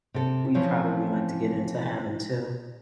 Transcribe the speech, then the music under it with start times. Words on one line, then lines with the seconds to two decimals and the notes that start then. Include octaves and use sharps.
we'd probably like to get into having too.
0.14 C3 A4
0.54 E3 F3 C4 C#4